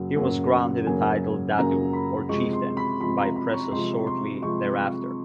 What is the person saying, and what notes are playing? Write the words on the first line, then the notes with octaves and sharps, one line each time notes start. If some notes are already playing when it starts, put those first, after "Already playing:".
He was granted the title "Datu", or chieftain, by Presas shortly thereafter.
Already playing: F#2 C#3 F#3 A#3
F#2 C#3 F#3 A#3
F#2 C#3 F#3 A#3 G#5
F#2 C#3 F#3 A#3 A#5
B5
C3 F3 G#3 C4 C#6
C6
B5
C3 F3 G#3 C4 B5
A#5
B5
C#6
C3 F3 G#3 C4 C6
C6
C3 F3 G#3 C4 C#6